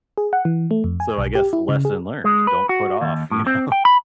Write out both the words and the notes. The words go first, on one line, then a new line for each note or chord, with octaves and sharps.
so I guess lesson learned, don't put off, you know,
G#4
F#5
E3
A3
F2
G#5
B1
G4
E4
C#3
G#4
G#3
B4
F#4
D#2
A2
C4
G5
B5